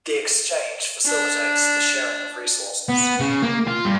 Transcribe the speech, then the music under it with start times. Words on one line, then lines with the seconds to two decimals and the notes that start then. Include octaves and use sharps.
The Exchange facilitates the sharing of resources.
1.06 D4
2.89 B3
3.20 C#3
3.42 A#3
3.67 F4
3.85 G2